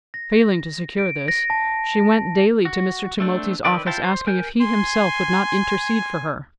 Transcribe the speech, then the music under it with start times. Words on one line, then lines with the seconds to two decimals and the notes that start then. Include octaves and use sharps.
Failing to secure this, she went daily to Mr. Tumulty's office asking if he himself would not intercede for her.
0.14 A#6
0.98 D7
1.28 A#6
1.50 A5
2.65 F#4
3.20 A3 C4 D4
3.65 D#3 C4 B4 D5
3.86 E4 F4 C5 G5 A5
4.04 C5
4.27 A#4 G#5 G6
4.61 G#5 C6